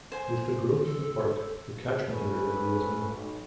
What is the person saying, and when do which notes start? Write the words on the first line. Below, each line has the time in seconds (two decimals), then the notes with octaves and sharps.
With the growth of the park, the catchment area grew as well.
0.12 C5 G#5
0.85 A4
2.07 F3 G#3 B3 C#4 A4 B4
3.09 B1